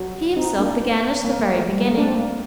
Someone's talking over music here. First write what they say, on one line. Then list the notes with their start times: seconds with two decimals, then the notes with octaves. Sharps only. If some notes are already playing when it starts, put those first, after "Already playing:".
He himself began at the very beginning.
Already playing: F#3
0.36 C4 D#4
0.59 A#3 D4
1.25 A#3
1.40 A#3
1.54 A3
1.69 G3
1.80 A#3
1.90 A3
1.97 D4
2.02 C4
2.13 A#3